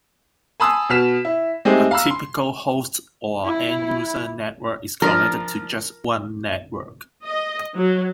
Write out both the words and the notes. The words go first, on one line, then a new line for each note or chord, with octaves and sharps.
A typical host or end-user network is connected to just one network.
G#5 A5 B5 C6 D#6 E6
B2 B3 F6 B6 E7
E4
G#3 A3 C4 D#4 G4 G#4
F5 A#5 B5 E6
C6
E4
F3 D4 F4 A#4
D#5
F#3